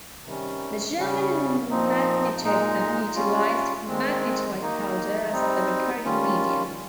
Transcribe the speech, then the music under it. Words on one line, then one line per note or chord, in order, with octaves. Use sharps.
The German magnetophon utilized magnetite powder as the recording medium.
C3 D#3 G3 C#4
C#3 G3 C#4
A#2 F3 C4 D#4
A#2 G#3 D#4
G3 C#4 F4
D#3 G#3 C4
D#3 A#3 D#4
G3 C4 D#4
D#3 G3 C#4 F4